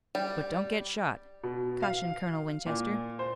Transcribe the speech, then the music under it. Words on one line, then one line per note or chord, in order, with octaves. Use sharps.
"But don't get shot," cautioned Colonel Winchester.
G3
B2
F5
A#2
C5